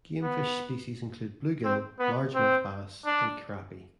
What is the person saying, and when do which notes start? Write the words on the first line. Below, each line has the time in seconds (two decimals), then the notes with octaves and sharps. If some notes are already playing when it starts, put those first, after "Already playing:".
Game fish species include bluegill, largemouth bass, and crappie.
0.23 B3
1.64 C4
1.99 B3
2.35 C4
3.05 D4